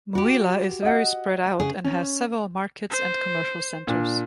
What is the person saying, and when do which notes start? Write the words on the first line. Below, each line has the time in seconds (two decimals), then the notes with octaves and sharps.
Mouila is very spread out and has several markets and commercial centers.
0.15 F#4 G4
0.82 D#5 F#5
1.60 C#3 G#4
1.84 C#4
2.90 C5
3.87 A#2 D4